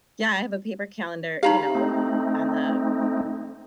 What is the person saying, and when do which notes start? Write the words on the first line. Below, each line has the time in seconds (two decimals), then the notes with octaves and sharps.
Yeah, I have a paper calendar, you know, on the,
1.43 D#4 G4 F5 A#5 B5
1.75 A3 C4 D#4